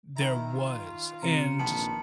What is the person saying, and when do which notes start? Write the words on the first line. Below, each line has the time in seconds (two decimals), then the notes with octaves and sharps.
there was, and,
0.17 D#3 E4 A#5
0.51 F4
1.23 C3 A#5 C#7
1.59 A#1 D#3 B3 A5 F#7